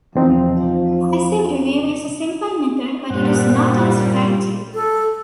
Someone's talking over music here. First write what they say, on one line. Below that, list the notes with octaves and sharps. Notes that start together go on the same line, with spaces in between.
Passive review is a simple method but it is not as effective.
E2 F3 C4 D#4
G2 A#2 G3 C5 F#5
A4